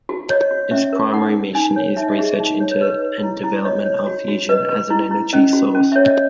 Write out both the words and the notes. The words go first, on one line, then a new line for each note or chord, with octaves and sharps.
Its primary mission is research into and development of fusion as an energy source.
F#4
C#5 D#5
F#4
C#4 E5
A#4
D#4 F#5
A#4
D#4 G#5
C#5
D#4 E5
D#5
G#4 E5
D#4
C#5
C#5
B4 D#5
B4
E4
E4
C#5 D#5
C#5
F#4
F#4
B4 D#5
B4
E4
E4
C#4 D#5
F#4
C#4
C#5 E5
D#5